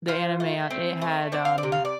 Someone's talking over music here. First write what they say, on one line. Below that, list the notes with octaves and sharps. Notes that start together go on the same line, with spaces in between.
the anime, uh, it had, um
F4 C5
A3
C4
A3
C4 D5
F5
D5
C3
F5
D5